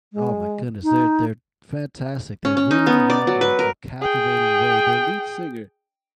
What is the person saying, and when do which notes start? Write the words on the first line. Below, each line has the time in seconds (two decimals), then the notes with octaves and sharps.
Oh my goodness, they're they're fantastic, they've really have a a captivating way, their lead singer
0.13 G#3
0.84 D#4
2.45 C#4
2.57 C#4
2.71 D#4
2.87 B3
3.10 D5
3.27 F#3
3.41 B4
3.59 A#4
4.01 G#4 G5